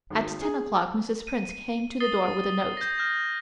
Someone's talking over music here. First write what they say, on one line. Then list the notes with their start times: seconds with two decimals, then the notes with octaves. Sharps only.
At ten o'clock Mrs. Prince came to the door with a note.
0.10 G#1
0.42 G#4
1.27 D#7
2.00 D#6 A6 C7 G7
2.77 G6 A#6
2.98 F6 G6 A#6